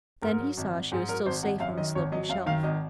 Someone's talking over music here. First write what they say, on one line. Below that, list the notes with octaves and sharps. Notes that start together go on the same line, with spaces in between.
Then he saw she was still safe on the sloping shelf.
G#2 A#4
F#3
G#1
G#1
G#2 G#4
F#3 A#4
G#1 C5
G#1 F#5
F#2 F5
D#3 D#5
G#1 C#5
F#3 D#5
F#2 F5
D#3 F5
G#1 D#5